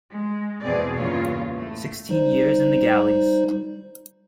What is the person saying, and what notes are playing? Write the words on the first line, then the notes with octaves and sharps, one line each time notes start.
Sixteen years in the galleys!
G#3
E2 B2 C4 G#4 D5
E2 G2 A#2 C#3 F4 C#5
A2 A3
G3 D#4 C5